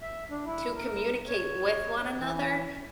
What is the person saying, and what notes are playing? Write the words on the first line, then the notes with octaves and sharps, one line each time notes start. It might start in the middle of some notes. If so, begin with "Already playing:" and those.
to communicate with one another,
E5
D4
E4
A#4
C#5
E3